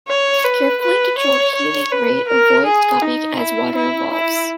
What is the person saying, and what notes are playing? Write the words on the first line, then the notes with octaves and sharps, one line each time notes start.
Carefully controlled heating rate avoids gumming as water evolves.
C#5
B4
B4
C#5
C#5
B4
A#4
G#4
D#4
E4
E4
E4